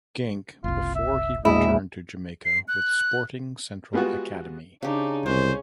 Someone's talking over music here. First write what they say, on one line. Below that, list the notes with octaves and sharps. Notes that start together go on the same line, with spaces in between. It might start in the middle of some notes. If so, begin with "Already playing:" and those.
Genk before he returned to Jamaica with Sporting Central Academy.
F#1 C2 F4
E5
E1 A#1 E4 D#5
C7
F#6
G3 G#3 B3 F4 F#4
C#3 D4 D#4 G4
C2 G#3 C#4 C5